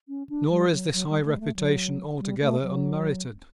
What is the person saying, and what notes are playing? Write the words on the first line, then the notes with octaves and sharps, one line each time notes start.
Nor is this high reputation altogether unmerited.
C#4
D4
G3
F#3
F#3
G3
A3
G3
A3
F#3
G3
A3
F#3